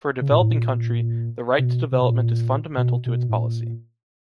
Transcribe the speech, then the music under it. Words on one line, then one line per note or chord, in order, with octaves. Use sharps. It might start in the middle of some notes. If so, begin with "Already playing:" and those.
For a developing country, the right to development is fundamental to its policy.
C#3
A#2
A2
A#2
C3
B2
C3
B2
A#2
B2
B2
A2
A#2